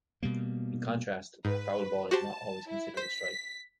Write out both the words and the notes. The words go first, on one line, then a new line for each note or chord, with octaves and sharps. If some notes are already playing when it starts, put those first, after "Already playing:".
In contrast, a "foul ball" is not always considered a strike.
B2 G3 A#3
G#2 B4
F#4 G4 C5 A5
E4
C5 B6